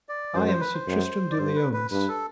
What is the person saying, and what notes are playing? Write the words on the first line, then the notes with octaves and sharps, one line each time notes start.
I am Sir Tristram de Liones.
D5
F#2 C5
C5
B4
C5
F#2
D5
G2 C5
B4
B4
G2 B4
A4